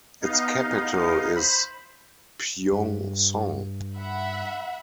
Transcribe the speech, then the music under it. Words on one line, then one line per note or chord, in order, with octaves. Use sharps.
Its capital is Pyongsong.
B3 D#4 D#5 F5
C5 B5
G2
E5 F#5 B5